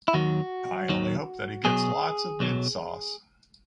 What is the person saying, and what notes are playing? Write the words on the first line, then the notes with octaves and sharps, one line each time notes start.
I only hope that he gets lots of mint sauce.
E4
D#2 D#3 F#3 F#4
D#2 D#3 F#3
B1 B2 F#3 G#4
B1 B2 F#3